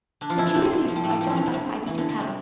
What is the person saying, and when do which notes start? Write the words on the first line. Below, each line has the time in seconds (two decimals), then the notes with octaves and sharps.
The two units are joined by a five-meter cable.
0.21 D3 D4
0.30 F3 F4
0.38 E3 E4
0.46 D3 D4
0.54 C3 C4
0.88 F3
0.96 G3
1.04 A2 A3
1.13 G3
1.21 F3
1.30 E3
1.37 D3
1.46 C3
1.54 D3
1.87 E3
1.98 D3
2.09 D3
2.20 C3